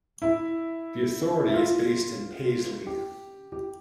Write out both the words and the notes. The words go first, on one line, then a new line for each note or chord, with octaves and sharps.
The Authority is based in Paisley.
E4
E4
F4
G4
G4